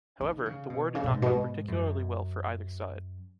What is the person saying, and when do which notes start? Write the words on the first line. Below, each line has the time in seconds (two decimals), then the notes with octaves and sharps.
However, the war did not go particularly well for either side.
0.21 D#3
0.46 C#3
0.70 B2
0.95 C#3
1.04 B2
1.12 G#2
1.22 B2
1.31 G#2
1.68 F#2